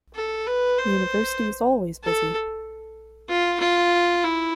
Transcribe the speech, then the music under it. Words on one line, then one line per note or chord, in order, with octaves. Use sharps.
The university is always busy.
A4
B4
C5
A4
F4
F4
E4